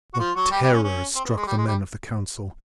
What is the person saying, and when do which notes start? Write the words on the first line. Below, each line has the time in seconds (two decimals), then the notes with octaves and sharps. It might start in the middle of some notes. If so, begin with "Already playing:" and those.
But terror struck the men of the Council.
0.14 F#4
0.19 F3 F4
0.35 F#3 F#4
0.51 G3 G4
0.62 G3 G4
0.72 C#4
0.83 C#4
1.15 C4
1.25 B3
1.36 G#3
1.47 G3
1.57 G#3
1.67 G3